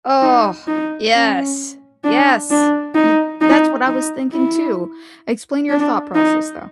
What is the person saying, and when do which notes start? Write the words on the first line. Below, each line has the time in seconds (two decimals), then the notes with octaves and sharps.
Oh, yes. Yes. You that's what I was thinking too. Explain your thought process, though.
0.22 D#4
0.68 D#4
1.14 C#4
2.05 D4
2.51 D4
2.95 D#4
3.41 D#4
3.87 D#4
4.32 E4
5.69 D4
6.15 D#4